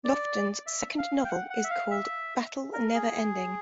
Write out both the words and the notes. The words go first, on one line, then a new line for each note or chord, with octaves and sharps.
Lofton's second novel is called "Battle Neverending".
D5
E5
F5
G5
F#5
F#5
E5
F5
E5
A#4
G#4